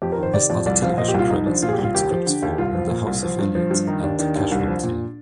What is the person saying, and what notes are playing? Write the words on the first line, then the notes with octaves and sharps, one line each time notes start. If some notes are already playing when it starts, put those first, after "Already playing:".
His other television credits include scripts for "The House of Eliott" and "Casualty".
F2 G4
A#4
D#3
C5
C3 D5
F2 D5
C2 D5
F3 F5
A#2 D#5
G4
C2 F4
C2 D#4
F3 D4
A#2 F4
G#4
G4
C2
F4
D#2 G4
F3
D3
D#2
C2 F4
F3
A#2
C2
F3
G2
F3
G2
D#3 D#4
D#2 D4
D#3 D4
D#2
C2
F3
A#2